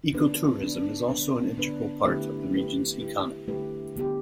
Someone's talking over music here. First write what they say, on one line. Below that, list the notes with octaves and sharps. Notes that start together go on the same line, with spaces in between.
Ecotourism is also an integral part of the region's economy.
D3 B3 D4 B4
D3 B3 D4 B4
D3 B3 D4 B4
D3 B3 D4 B4
D3 A3 E4 G4 B4
D3 A3 E4 G4 B4
D3 A3 E4 G4 B4
D3 A3 E4 G4 B4
D3 B3 G4